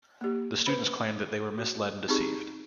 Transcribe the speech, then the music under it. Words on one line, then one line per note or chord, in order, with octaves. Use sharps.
The students claimed that they were misled and deceived.
A#3 G4
B4 C5 B5
F#4
C4 D#4 G4 G#4 A#5 C#6